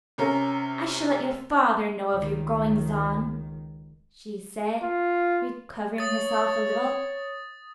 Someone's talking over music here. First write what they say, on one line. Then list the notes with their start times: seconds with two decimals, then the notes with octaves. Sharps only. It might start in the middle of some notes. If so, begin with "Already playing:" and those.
"I shall let your father know of your goings on," she said, recovering herself a little.
0.18 C3 C#4 A#4
2.14 C#2 D#3
4.83 F4
5.98 C#5 D#6 A6